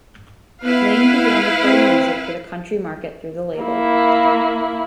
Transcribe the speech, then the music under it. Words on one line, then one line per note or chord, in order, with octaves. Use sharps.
Lane began recording music for the country market through the label.
B3 E4 B4 F5
C4
A#3 E4